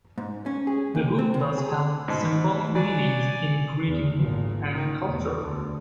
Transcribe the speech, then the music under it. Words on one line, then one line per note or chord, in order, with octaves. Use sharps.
The hoop thus held symbolic meanings in Greek myth and culture.
G#2
C#4
G#4
D#2
C4
C3
G#4
G#2 B2 B5
F#3 D5 G#5
E2
G#1 A#2
D#3
E2
D2 D3